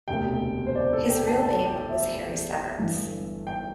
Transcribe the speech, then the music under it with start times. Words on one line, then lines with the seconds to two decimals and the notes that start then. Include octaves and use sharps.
His real name was Harry Severns.
0.08 E1 D2 C3 G5
0.67 C5
0.75 D5
0.93 A4
1.10 G5
1.27 A5
1.43 A5
1.66 G5
1.89 E5
2.79 G1 G2 E3
3.47 G5